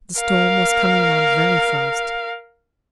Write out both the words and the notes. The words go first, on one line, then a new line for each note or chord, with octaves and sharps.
The storm was coming on very fast.
A#4 F5